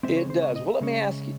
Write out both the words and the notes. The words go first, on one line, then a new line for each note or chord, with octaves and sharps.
It does, well, let me ask y
C#3 G#3 C4 E5
C#5
C5
C#5
D#5
E5
C#3 G#3 C#4